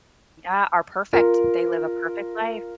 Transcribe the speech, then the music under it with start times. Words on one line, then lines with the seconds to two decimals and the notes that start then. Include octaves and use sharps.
Yeah, are perfect. They live a perfect life.
1.13 F4 A#4